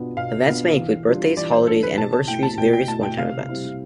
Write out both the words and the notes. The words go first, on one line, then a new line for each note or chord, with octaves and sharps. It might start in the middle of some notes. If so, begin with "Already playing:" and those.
Events may include birthdays, holidays, anniversaries, various one-time events.
Already playing: B2 B3 D4 F4
B2 F5
B3 D4 F4
E3
G3 D4 F4
E3 D5
C5
G3 D4 F4 A4
B4
B2 A5
A5
A3 E4 G5
A5
B2 G5
G5
A3 E4 A5
G5
C3 F5
G3 C4 E4